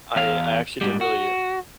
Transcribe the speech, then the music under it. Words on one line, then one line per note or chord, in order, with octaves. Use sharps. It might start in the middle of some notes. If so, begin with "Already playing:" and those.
I I actually did really
E2 F5
G#2 G3
F#4